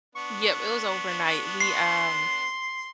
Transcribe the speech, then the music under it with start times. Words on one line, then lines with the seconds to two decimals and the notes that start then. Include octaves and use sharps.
Yep, it was overnight. We, um
0.15 B3 D4 C#6
1.60 C6 C7